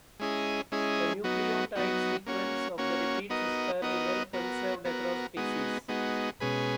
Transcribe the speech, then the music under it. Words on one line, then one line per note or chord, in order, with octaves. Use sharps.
The nucleotide sequence of the repeats is fairly well conserved across species.
G#3 C#4 E4 G#4 D#5
G#3 C#4 E4 G#4 D#5
F#3 B3 D#4 F#4
F#3 B3 D#4 F#4
A#3 C#4 F#4 C#5
A#3 C#4 F#4 C#5
B3 D#4 F#4 A#4 D#5
B3 D#4 F#4 A#4 D#5
B3 F#4 A#4
B3 F#4 A#4
G#3 B3 D#4 F#4
G#3 B3 D#4 F#4
B2 G#3 C#4 G#4 B4